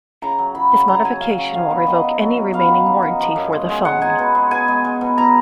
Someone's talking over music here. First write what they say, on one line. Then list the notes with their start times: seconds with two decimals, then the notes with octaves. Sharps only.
This modification will revoke any remaining warranty for the phone.
0.22 C#3 A#5
0.39 F#3
0.55 C#3 B5
0.72 C#3
0.88 C#4 A#5
1.05 F#3 G#5
1.21 C#3 F5
1.38 C#4
1.54 D#3 F5
1.71 B3
1.87 D#3 D#5
2.04 F#3
2.20 F#3
2.37 F#3
2.53 B3 F5
2.69 D#3
2.86 D#4
3.02 D#4
3.19 F3
3.36 F#2
3.53 G#3
3.69 G#3
3.85 G#3 F#5
4.01 D#4 G#5
4.19 B2
4.35 G#3
4.51 B2 G#5
4.68 G#3
4.85 G#3
5.01 B2
5.18 B2 A#5